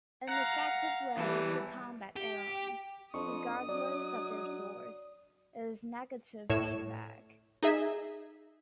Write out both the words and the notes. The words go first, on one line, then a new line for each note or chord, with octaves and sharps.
An effective way to combat errors, regardless of their source, is negative feedback.
F5 F#5 A#5
E2 E3 G3 A5
G4
F2 D4 D#5 C#6 D#6
F#3 D5
A2 C#5 E7
D#4 G#4 E5